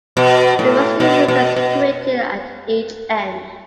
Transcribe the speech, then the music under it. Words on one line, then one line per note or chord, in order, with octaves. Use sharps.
The rustic rooms are situated at each end.
B2
A2
B2
B2
B2